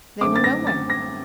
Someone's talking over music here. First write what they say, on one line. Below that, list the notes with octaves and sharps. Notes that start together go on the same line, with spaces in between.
They were nowhere.
F#2 D3 A3 C4 D6
A6
A#6
A6
A#6